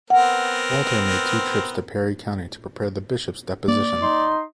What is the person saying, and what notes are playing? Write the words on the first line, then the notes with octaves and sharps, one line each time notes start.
Walther made two trips to Perry County to prepare the Bishop's deposition.
B3 C4 A#4 F#5
A#3 D5
D#4 C6